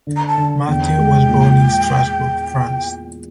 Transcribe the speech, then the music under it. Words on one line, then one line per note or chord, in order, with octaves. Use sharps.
Mathieu was born in Strasbourg, France.
D3
A#5
A5
D3
E2 G5
G#3
A#2